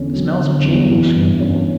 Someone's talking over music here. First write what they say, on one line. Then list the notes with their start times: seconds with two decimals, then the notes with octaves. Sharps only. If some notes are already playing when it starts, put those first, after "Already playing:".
"The smells have changed," screamed Mor.
Already playing: E2 D3 C#4
0.13 F#3
0.40 D3
0.64 E2
0.91 E3
1.15 G2
1.40 C#4